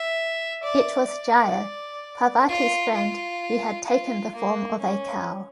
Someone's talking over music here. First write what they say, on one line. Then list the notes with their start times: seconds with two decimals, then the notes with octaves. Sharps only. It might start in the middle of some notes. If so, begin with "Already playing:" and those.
It was Jaya - Parvati's friend, who had taken the form of a cow.
Already playing: E5
0.63 D5
1.09 D5
2.49 F4
2.95 F4
3.89 F4
4.36 A#3
4.81 C#4